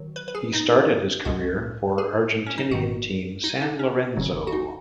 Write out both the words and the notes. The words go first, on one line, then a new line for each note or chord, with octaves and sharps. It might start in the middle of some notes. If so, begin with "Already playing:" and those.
He started his career for Argentinian team San Lorenzo.
Already playing: D#3 F#3
B4
B4
G#4
D#4
C#2 B2 G#3 F#4
G#4
C#4
D#4
G#1 G#2 D#3 F#4
D#4
D#4
C#4
G#1 F#2 C#3 F#3
F#4
D#4